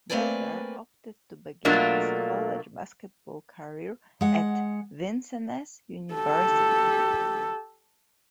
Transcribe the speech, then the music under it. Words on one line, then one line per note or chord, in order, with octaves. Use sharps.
Mulder opted to begin his college basketball career at Vincennes University.
A3 A#3 C4 B4 D5 G#5
B2 F#3 A3 A#3 D4 F4
G#3 F#5
G4 A4